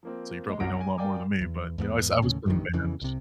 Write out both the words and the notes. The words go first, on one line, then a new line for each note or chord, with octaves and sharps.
so you probably know a lot more than me, but, you know, I s I was playing in band.
F3 A#3 C4
G#3
C2 F#2 F#4 A#6 D7
G#5
A#4 D5 F5 G5 G#5 D6
E2
E2 G#2 A3 B3
D#2 A2 C#3
A1 G2 D#3
F2 C#3 E3
C2 C3